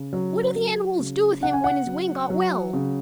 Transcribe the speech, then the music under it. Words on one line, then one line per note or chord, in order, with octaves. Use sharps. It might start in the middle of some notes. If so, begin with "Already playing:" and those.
"What did the animals do with him when his wing got well?"
Already playing: C#3
F#3
F#3
C#3
C#3 F#5
G#5
F#5
F#3
F#3
C#3